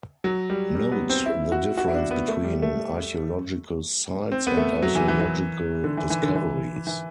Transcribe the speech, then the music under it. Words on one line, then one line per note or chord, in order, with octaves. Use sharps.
Note the difference between archaeological sites and archaeological discoveries.
F#3
G3
G3
B3
C4
E4
F#4
F#4
E4
D4
B3
A3
G3
A3
C4
B3
A3
F#3
E3
E3
E3
D3
E3
E3
D3
E3
E3